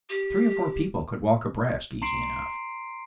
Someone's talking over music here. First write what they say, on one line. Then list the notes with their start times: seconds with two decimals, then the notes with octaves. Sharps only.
Three or four people could walk abreast easy enough.
0.09 G4
2.02 A#5 C6 C7 D7